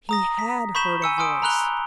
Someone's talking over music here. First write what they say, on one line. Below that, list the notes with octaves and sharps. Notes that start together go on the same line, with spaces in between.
He had heard a voice.
A#5 D#6 A#6
B6
B5 C#6 G6 B6 E7 G7
G#5 E6 C#7
G#5 C6 D#6 F6 D7
A#5 B5 F6 F#6 F7 G7